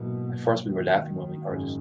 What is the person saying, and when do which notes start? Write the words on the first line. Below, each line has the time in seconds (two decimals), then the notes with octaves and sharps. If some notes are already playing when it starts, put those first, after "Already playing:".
At first we were laughing when we heard it.
Already playing: G#2 B2 F#3 A#3 E4
0.65 D#3
1.48 G#1 F#2 C#3 G#3